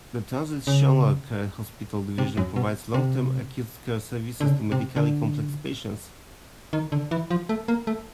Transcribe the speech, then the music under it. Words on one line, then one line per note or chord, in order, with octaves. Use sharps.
The Transitional Care Hospital division provides long-term acute care services to medically complex patients.
C#3
C3
F#2
B2
C3
D3
C#3
C3
D3
D#3
D3
E3
F3
A3
A#3
A3